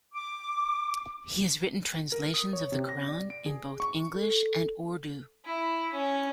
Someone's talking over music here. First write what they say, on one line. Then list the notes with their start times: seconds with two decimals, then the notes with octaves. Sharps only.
He has written translations of the Qur'an in both English and Urdu.
0.13 D6
2.12 A#4
2.34 D#6
2.53 C#5
2.72 C3
2.89 A#6
3.08 D5
3.30 D7
3.46 G#4
3.80 C#6
4.14 A4
5.45 E4
5.92 C#4